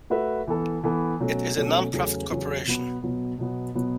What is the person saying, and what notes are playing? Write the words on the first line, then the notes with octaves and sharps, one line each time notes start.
It is a non-profit corporation.
A3 F#4 B4 E5
E3 B3 A4
E3 B3 A4
B2 F#3 A3 C#4
B2 F#3 A3 C#4
E2 C#3 F#3 A3 C#4
E2 C#3 F#3 A3 C#4
B2 F#3 B3
B2 F#3 B3
B2 F#3 B3
B2 F#3 B3